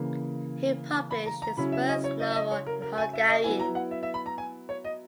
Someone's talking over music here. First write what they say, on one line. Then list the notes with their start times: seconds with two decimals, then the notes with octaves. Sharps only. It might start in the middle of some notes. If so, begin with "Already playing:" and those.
He published his first novel in Hungarian.
Already playing: C#3 E3 A#3
1.11 B5
1.26 A#5
1.42 A#5
1.57 C#3 F#3 C#4 E4 B5
1.72 E5
1.89 D#5
2.04 C#5
2.20 D#5
2.31 E5
2.36 D#5
2.51 C#5
2.66 A#4
2.82 A#4
2.98 G#5
3.13 E5
3.28 D#5
3.44 F#3 B3 E4 G#5
3.59 A#5
3.75 F#5
3.91 E5
4.03 E5
4.14 B5
4.26 A#5
4.38 G#5
4.69 C#5
4.84 D#5